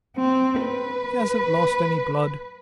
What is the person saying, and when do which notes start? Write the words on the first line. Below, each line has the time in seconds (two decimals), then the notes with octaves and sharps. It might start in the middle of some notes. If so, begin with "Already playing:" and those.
He hasn't lost any blood.
0.17 C4
0.62 B4